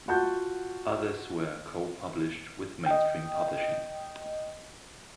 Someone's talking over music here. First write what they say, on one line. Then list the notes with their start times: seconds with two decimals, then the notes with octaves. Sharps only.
Others were co-published with Mainstream Publishing.
0.08 F4 F#4 F#5 A5 G6
2.86 D#5 G5